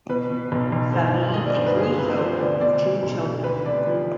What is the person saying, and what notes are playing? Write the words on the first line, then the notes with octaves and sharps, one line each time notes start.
Salim and Carrizo have two children.
B2 B4
B2
B1
B1
G1 C5
G2
D#3 D#5
D5
G1 C5
B4
D2 G#4
C3 B4
F3 C5
D2 D5
B2 D5
B2
B1
B1
D2 B4
C3 D5
F3